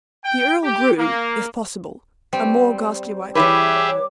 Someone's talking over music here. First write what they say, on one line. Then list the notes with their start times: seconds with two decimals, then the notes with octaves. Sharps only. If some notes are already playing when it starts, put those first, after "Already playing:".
The earl grew, if possible, a more ghastly white.
0.24 G5
0.63 G4
0.98 A#3
2.33 G3 C4
3.35 E3 E4 G4 G#4 B4 C#5 E5 D6